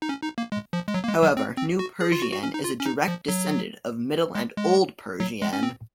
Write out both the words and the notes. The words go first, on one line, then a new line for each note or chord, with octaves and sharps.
However, New Persian is a direct descendent of Middle and Old Persian.
D#4
C#4
D#4
A#3
G#3
F3
G#3
F#3
A#3
G#3
F#3
C4
C4
F#4
G#4
F4
F#4
F#4
C#4
D#4
F4
C#4
D#4
F3
F#3
G#3
G#3
F#3
G#3
C#4
C4